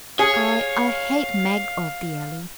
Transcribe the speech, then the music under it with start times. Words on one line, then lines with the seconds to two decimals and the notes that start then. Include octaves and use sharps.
I--I hate Mag of the Alley.
0.19 G#4 C#5 F5